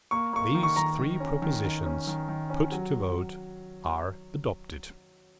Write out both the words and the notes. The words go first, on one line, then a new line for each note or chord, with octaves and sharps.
"These three propositions, put to vote, are adopted."
A#3 C#6
A#3 C#6
D#3
C#6
D#3 A#5
D#3
C#4
D#3
D#3
C#4
D#3
D#3
C#4
F#3